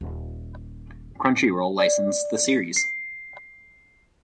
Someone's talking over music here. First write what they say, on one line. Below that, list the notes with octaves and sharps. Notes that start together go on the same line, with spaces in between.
Crunchyroll licensed the series.
D#1 F4
E2
D5
C7